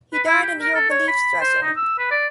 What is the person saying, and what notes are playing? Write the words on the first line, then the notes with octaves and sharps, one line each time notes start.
He died in the old beliefs dressing.
B4
E4
G4
A#4
A4
C#5
B5
C5
D#4
E6
B4
D5